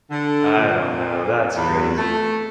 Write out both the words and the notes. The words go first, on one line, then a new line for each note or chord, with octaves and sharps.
I don't know, that's crazy.
D3
A#2
E2
A3